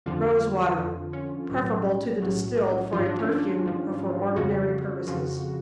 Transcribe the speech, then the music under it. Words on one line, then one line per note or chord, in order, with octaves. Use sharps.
Rose-Water.--Preferable to the distilled for a perfume, or for ordinary purposes.
F2 D3 F3 F4
F2 D3 F3
C#4
B1 A2 F#3
B1 A2 F#3
G#1 G#2 F3 F4
D4
C#4
D4
G#1 G#2 F3
F2 C#3 F3 F#4
F2 C#3 F3